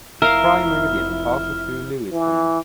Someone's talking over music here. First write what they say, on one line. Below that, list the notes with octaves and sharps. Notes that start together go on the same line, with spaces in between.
The Prime Meridian passes through Lewisham.
F1 E4 A#4 E5 F5 F6
E3